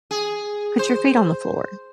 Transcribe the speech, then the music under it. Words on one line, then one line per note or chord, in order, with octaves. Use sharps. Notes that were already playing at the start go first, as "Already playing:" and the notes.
put your feet on the floor
G#4
C5